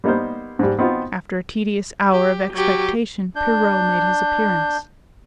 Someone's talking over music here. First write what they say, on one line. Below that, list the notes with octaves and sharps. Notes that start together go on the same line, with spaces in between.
After a tedious hour of expectation, Pierrot made his appearance.
G3 A#3 B3 D#4 A#4 C5
G#2 G3
B3 C4 D#4 F4 F#4
G4
F#3 G4
D4 G6